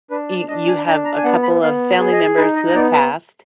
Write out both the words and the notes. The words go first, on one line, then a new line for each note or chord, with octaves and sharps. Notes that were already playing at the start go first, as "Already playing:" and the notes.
you you have a couple of family members who have passed,
D4 B4
D5
D4 D#5
G#5
D4 A#5
A#5
G#5
B3 F#5
B5
B3 F5
G#4
D#5
D#4 B4
D#5
D#5
B3 D5
B4